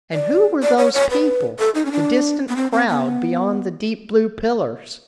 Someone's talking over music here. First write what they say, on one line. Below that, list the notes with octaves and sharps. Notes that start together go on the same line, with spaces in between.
And who were those people, the distant crowd beyond the deep blue pillars?
D5
D5
C#5
C#5
B4
A4
D#4
C#4
D4
B3
C4
C4
B3